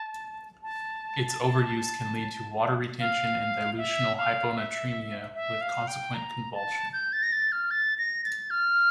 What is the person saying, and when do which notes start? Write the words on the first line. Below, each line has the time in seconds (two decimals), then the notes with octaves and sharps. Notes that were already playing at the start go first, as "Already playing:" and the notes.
Its overuse can lead to water retention and dilutional hyponatremia with consequent convulsion.
Already playing: A5
0.63 A5
3.00 F5
3.77 E5
4.18 F5
4.57 E5
5.35 E5
5.61 F5
5.88 G5
6.14 A#5
6.54 A5
6.93 G6
7.13 A6
7.23 A#6
7.32 A6
7.52 F6
7.71 A6
7.98 A#6
8.24 A6
8.50 F6